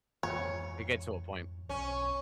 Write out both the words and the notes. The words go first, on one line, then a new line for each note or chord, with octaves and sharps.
It gets to a point.
F2 G#2 E3 C#5
B1 C#4